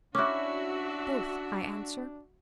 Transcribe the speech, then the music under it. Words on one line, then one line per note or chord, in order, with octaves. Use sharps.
Both, I answer.
C#4 D4 E4 F#4 E5 D6 F#6